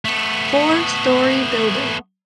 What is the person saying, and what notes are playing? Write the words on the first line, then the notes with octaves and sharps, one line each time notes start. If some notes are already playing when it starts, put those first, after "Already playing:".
Four story building.
A3 B3